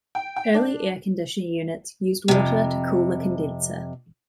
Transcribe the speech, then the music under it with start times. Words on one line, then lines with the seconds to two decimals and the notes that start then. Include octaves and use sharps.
Early air conditioner units used water to cool the condenser.
0.15 G5
0.36 G5
0.54 D4
2.28 F2 C3